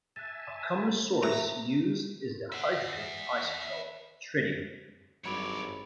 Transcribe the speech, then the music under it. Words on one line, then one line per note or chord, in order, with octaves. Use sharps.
A common source used is the hydrogen isotope, tritium.
E5 G#5 A5 F#6 A6
A2 E3 A#3 F#4 A#4 E5 A#5
E5 F#5
G#1 G2 F#3 C#5 D5 B5